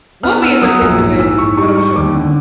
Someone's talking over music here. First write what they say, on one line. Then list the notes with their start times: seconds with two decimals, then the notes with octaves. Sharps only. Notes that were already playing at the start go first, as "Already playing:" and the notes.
we'll be able to get through it, but I'm sure.
0.23 B3 F6
0.42 B3 E6
0.62 F#3 D#6
0.81 A#1 E6
1.00 G#2
1.19 E3 E6
1.38 G#2 C#6
1.57 G3 C#6
1.76 G3 C#6
1.96 D#2 D6
2.15 D3